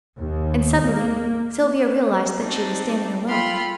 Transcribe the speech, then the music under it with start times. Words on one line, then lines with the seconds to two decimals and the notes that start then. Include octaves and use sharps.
And suddenly Sylvia realized that she was standing alone.
0.20 D#2
0.82 A#3
2.40 C4 D4 D#4
3.27 F4 A4 G5 B5 C6 F6